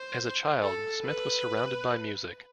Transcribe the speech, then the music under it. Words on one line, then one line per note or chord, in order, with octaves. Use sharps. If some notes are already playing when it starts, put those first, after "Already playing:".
As a child, Smith was surrounded by music.
Already playing: C5
A4
B4